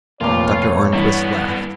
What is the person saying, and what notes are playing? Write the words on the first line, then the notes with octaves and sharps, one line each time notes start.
Dr. Arnquist laughed.
F1 A#2 F4 C#5 D6
G2 D3 E3 B3